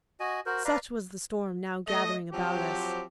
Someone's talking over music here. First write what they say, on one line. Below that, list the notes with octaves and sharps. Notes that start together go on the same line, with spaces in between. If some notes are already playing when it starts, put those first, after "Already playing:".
Such was the storm now gathering about us.
F#4 D#5 G#5
F#4 A#4 C5
B4 D5 F5 A#5
A3 D#5
F3 F#3 C4 G4